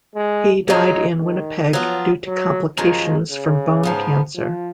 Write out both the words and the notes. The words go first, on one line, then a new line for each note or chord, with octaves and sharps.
He died in Winnipeg due to complications from bone cancer.
G#3
C#3 F#3 G#3 D#4
D#3
F3 F#3 B3 F4
F#3
F#2 D#3 F3 G#3
C#3
G#2 F3 B3
F3